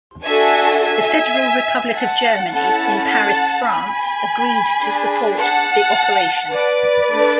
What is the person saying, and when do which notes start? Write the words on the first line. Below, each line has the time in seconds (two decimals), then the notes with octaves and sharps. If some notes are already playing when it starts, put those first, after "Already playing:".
The Federal Republic of Germany in Paris, France, agreed to support the operation.
0.23 D4 F#4 A4 E5 G#5
0.80 E5 G#5
1.95 F#5 A5
2.52 C#4 E4 A4 F#5 A5
3.09 F#5 A5
3.66 G#5 B5
4.80 D4 G#4
5.37 F#5 A5
6.51 B4 D5
7.10 A3 D4